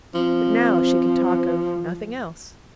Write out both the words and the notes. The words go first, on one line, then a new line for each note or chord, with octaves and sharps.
But now she could talk of nothing else.
F3 C4